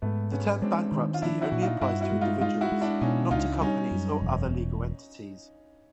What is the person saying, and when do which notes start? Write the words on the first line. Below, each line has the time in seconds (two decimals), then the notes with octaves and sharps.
The term bankruptcy applies only to individuals, not to companies or other legal entities.
0.02 G#2 A3 B3
0.32 G#3 B3 C#4
0.62 G#3 C4 D4
0.92 D#3
1.14 F4
1.22 F3 D4 E4
1.41 E4 F#4
1.52 A#2 F#4
1.61 D#4 F4
1.81 G2 E4 F#4
2.01 E4 F#4
2.12 G#3
2.21 D#4 F4
2.41 G#3 D#4 F4
2.61 E4 F#4
2.72 G#3
2.81 D4 E4
3.01 B2 C#4 D#4
3.31 C#2 D#4 F4
3.61 G3 C#4 D#4
3.91 F#2
4.22 E1